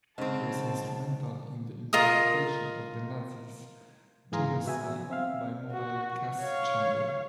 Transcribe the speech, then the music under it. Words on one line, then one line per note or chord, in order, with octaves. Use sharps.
He was instrumental in the implementation of the Nazis' genocide by mobile gas chamber.
G#2 C#3 C4 C5 A5
F4 A#4 D#5 D#6
G#2 E3 G#4 F5 A#5 C6
B3 F#4 E5 G#5
C4 E5 F5
F#4
C#5 F5